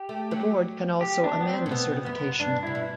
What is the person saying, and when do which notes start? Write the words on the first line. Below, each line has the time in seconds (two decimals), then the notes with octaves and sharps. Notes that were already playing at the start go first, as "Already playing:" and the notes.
The Board can also amend a certification.
Already playing: G4
0.09 A3
0.31 F#3
1.01 G4
1.24 D4
1.41 B3
1.48 C4
1.66 A2
1.71 B2 B3
2.05 F#2 B3
2.40 G2 D4
2.63 C3 E4
2.75 B2